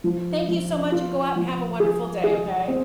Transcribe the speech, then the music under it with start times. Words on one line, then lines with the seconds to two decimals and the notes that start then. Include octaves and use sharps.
thank you so much and go out and have a wonderful day, okay?
0.04 F3
0.48 F3
0.92 F4
1.36 F3
1.80 G#4
2.24 G#4
2.68 C4